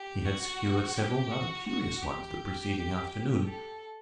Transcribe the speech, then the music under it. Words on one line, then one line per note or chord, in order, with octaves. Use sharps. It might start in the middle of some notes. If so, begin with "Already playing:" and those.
He had secured several rather curious ones the preceding afternoon.
Already playing: G4
F#4
G4
F#4
F#4
G4
A4